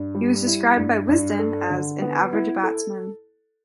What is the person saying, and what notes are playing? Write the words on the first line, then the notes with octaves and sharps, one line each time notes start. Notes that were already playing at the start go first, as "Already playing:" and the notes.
He was described by "Wisden" as "an average batsman".
Already playing: G2
G3
E4
G2
G2
A4
D3
B3
E4
A4